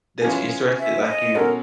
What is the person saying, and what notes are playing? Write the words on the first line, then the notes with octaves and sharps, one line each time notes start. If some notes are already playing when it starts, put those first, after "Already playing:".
that you're interested like, you
E3 G#3 C#4 F4 G#4
E5
D#5
B2 G#3 C#4 F#4 A4 A#4